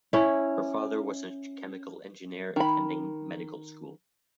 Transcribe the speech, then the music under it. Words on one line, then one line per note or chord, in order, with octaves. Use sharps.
Her father was a chemical engineer attending medical school.
C#4 E4
D#3 B5